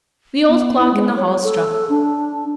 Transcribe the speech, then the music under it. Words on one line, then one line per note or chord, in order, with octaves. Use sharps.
The old clock in the hall struck.
B3
E4
G#3
C#5
A4
D4